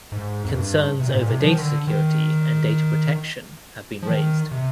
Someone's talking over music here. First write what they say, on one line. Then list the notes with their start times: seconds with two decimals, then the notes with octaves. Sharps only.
Concerns over data security and data protection have been raised.
0.12 G#2
0.45 F2
0.55 G2
1.00 C3
1.07 A#2
1.14 G#2
1.21 A#2
1.29 C3
1.40 F3
1.50 D#3
1.58 D3
1.87 D#3
4.03 F3
4.07 D#3
4.52 C3